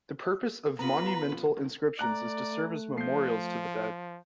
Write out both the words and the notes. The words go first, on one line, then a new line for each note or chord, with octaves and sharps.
The purpose of monumental inscriptions is to serve as memorials to the dead.
B3 F4 B4 A#5
A3 D5 A#5 F#6
F3 G6 C7